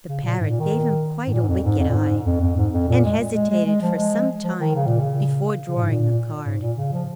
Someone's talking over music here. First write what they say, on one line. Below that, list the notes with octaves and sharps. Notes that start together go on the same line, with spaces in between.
The parrot gave him quite a wicked eye, and hesitated for some time before drawing a card.
C#3
A#2
G#2
A#2
D#3
G#2
A#2
G#2
F2
G#2
F2
A#2
G#2
F2
F2
G#2
F2
A#2
G#3
G#3
G#3
G#3
F3
G#3
F3
D#3
C#3
A#2
C#3
C#3
A#2
G#2
A#2
G#2
A#2
C#3
F3